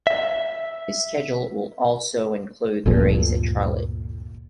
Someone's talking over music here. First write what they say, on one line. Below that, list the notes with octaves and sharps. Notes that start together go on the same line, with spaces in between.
His schedule will also include the race at Charlotte.
E5
G1 D2 A#2 F3